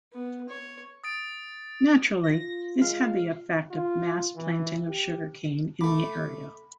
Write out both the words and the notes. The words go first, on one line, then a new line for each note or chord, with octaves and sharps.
Naturally this had the effect of mass planting of sugar cane in the area.
B3
C#5
D#6 A6 D7
F4 A#6
G#3 F5
F4
E3
G4
A3 B5 D6